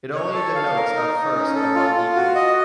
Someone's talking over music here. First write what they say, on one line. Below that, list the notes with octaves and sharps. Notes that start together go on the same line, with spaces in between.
It only denotes a first among equals.
C#5
A4
F5
A#4
D#4
D#4
C#4
A4
F4
F4
F#4
D#5